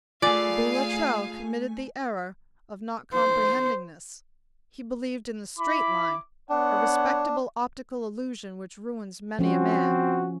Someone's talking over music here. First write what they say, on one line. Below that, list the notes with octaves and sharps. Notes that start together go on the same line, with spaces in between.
Boulatruelle committed the error of not comprehending this. He believed in the straight line; a respectable optical illusion which ruins many a man.
A3 F4 G#4 D5 F5 G#5
C5
E4 B5 D6
B3 D4 C#5 F#5
F3 C4 C#4 F#4